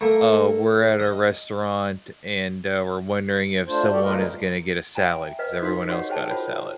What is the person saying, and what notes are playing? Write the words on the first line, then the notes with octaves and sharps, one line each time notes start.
uh, we're at a restaurant and, uh, we're wondering if someone is gonna get a salad, 'cause everyone else got a salad.
A3 A#3
D#5
A3 D4 F4 C5
F#4 G4 A4 D5
A3 F4 A#4 B4 D#5
C#3 F3 G3 A3
E5 G5 G#5 A#5
B4 C5 D#5 F5
D#4 F#4 A#4 F5 C6
F#4 G4 C#5 D#5 F#5
G#4 C5 G5 A5
F4 F#4 A#4 C5 C#5